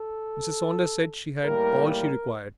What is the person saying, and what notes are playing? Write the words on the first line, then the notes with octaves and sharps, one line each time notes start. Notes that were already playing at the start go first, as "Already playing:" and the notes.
Mrs. Saunders said she had all she required.
Already playing: A4
A2 G3 A#3 A#4
A#4